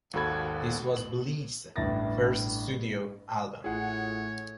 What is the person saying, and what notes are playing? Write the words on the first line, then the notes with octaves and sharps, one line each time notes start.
This was Bleach's first studio album.
G#1 D#2 F#4 A4 B5 G#6
F#7
A1 G2 A3 E4 A6 A#6
A1 A2 E4 F4 G#4 C#5 F#5